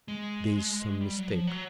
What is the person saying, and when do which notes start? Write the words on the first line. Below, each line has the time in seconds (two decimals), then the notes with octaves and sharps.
"There is some mistake."
0.08 G#3
1.01 G3
1.16 F#3
1.32 F3
1.47 F#3